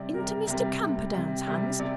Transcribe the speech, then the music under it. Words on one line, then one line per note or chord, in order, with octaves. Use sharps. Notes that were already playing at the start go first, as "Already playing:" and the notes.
"Into Mr. Camperdown's hands!"
Already playing: C3 G3 D5
C3 G3 A#4
C3 G3
C3 G3
C3 G3
C3 G3
C3 D5